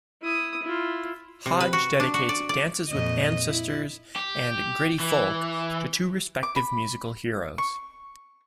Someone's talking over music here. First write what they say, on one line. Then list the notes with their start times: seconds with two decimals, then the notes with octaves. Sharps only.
Hodge dedicates "Dances with Ancestors" and "Gritty Folk" to two respective musical heroes.
0.22 E4 D#6
0.63 E4 F4
1.46 C3
1.60 B4
1.73 F#4
2.00 D4
2.14 F#4
2.29 D5
2.49 D5
2.89 F2 A#2 D#5
3.45 E4
4.16 G4
5.00 E3
6.43 D6
6.56 B5
7.58 C#6